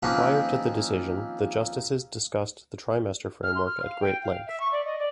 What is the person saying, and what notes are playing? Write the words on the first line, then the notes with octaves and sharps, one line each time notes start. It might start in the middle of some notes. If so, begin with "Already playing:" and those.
Prior to the decision, the justices discussed the trimester framework at great length.
D#3 F3 A#3 C4 C#4 B4
F6
C6
F6
F5
G5
F5
E5
C#6
D5
D#5
D5